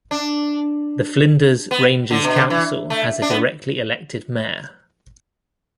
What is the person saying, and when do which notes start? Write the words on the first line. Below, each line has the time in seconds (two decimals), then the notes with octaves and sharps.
The Flinders Ranges Council has a directly-elected mayor.
0.11 D4
1.71 B3
2.11 D3
2.24 B2
2.37 D3
2.50 E3
2.90 A3
3.22 D4
3.30 B3